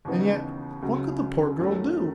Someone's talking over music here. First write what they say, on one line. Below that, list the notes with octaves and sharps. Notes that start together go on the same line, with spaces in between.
And yet, what could the poor girl do?
D#2 C#3 E3 B3 D#4
C#2 C#3 F#3
F#2 D#3 F#3 A3 C#4